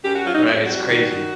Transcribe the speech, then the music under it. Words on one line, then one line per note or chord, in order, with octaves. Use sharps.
Right, it's crazy.
F#2 G4
F#4
F#3 F4
D#4
F2 E4
G3 F#4
D#3
D#3